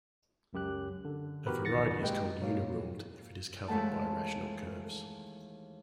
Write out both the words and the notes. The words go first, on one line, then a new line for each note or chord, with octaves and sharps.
A variety is called uniruled if it is covered by rational curves.
C#2 F#2 G4 F#6
D3
E3 B3 F#4 G4 A#4 B4
C2 F2 D#3 A6 A#6 C#7
G#3 A#3 G4 B4 D#5 G5
B2 F#3 A#3
D#2 E3 G#3 A3 F#5 A5